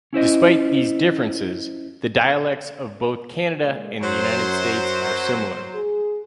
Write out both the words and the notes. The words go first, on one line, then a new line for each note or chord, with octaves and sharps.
Despite these differences, the dialects of both Canada and the United States are similar.
C#4 E4 C5 D#5
A#2 G#3
F#2 F#3 C5
G#4